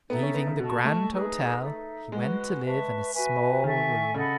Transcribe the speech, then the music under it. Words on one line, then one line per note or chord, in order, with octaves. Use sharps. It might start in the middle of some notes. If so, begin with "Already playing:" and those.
Leaving the grand hotel he went to live in a small room.
B3 D#4 A4 E5
C#4
B3
C#3
B2 A4 D#5 A5 C#6
A3
D#4 G#4 B4 D#5
D#4 A4 E5
G#3 F#4 B4 F#5
B4 E5 A5 C#6
F#4 B4 E5 G#5
D#3 A4 E5 G#5 C#6
C#3 A4 D#5 F#5 B5